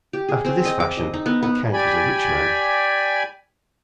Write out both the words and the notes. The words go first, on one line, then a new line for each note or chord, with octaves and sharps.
After this fashion the count was a rich man.
G4
G#4
C4
D#5
D6
D#5
D#4
B3
B3
G4 D5 G#5 B5